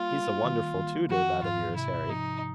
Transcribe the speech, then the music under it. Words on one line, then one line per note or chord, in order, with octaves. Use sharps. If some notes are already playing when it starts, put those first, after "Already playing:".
"He's a wonderful tutor, that of yours, Harry!"
Already playing: G3 A#3 F4
G3
D#3
D#3
F3 F#4
G#2 F4
C3 E4
F3 D#4